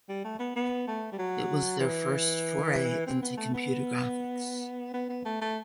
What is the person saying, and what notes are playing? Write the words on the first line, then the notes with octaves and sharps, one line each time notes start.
It was their first foray into computer graphics.
G3
A3
B3
B3
A3
G3
F#3
E3
C4
B3
A3
B3
B3
B3
A3
A3